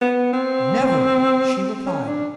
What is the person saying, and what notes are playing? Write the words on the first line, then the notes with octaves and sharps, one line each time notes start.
Never!' she replied.
B3
C4
C#4
D4